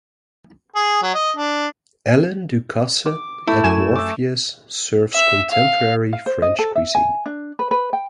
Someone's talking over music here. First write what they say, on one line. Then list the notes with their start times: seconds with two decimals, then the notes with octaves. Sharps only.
Alain Ducasse at Morpheus serves contemporary French cuisine.
0.75 G#4
1.02 F#3
1.15 D#5
1.37 D4
3.06 D6
3.47 A3 E4
3.64 F#2 G#5 E7
3.95 E5 D6
5.14 E5
5.51 F5
6.13 F5
6.26 C5
6.42 D#5
6.59 A4
6.75 E5
6.95 G#5
7.26 D4
7.59 B4
7.71 B4
7.93 G5